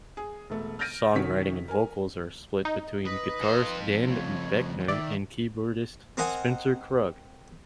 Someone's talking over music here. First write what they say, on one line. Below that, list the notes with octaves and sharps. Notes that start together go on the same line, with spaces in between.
Songwriting and vocals are split between guitarist Dan Boeckner and keyboardist Spencer Krug.
G#4
E1 A3
F6 G6 A6 A#6 D7 D#7
C3 D#3 C#4 F#4 B6
A#4 G#5
D#4
B4 D#5
F2 C5
C#3 A3 C#5
D#3 D5 E5
C4 A#4 D#5 F#5 G#5